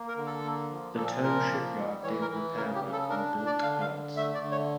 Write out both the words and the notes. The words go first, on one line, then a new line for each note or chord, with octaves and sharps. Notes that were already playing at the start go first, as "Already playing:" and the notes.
The tow shipyard did repair work on built yachts.
Already playing: A#3
A#4
D3
A4
A#3
F3
A#2 A4
F3 A#4
A#3
G3
E3 C#5
A#4
E3
C#3 A#4
G4
C#3
A4
D4 A#4
D4
D5
D3 F5
F5
D3
A3 E5
D5
D3
C#5